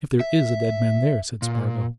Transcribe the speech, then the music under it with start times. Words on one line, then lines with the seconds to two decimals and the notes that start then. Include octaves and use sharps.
"If there is a dead man there," said Spargo.
0.20 E5
1.42 A#2